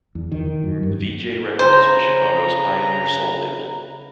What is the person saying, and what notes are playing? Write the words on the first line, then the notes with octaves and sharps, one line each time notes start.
Vee-Jay Records was Chicago's pioneer soul label.
E2
D#3
F#2
G2
C#3 B4 C5 A#5